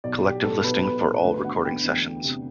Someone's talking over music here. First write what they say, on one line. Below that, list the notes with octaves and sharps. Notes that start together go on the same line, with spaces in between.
Collective listing for all recording sessions.
B1 D5
B1 G4
A2 A4
B1 B4
B1 B4
A2 A4
D2 B4
D2 F#5
D3 G5
E2
E2
C3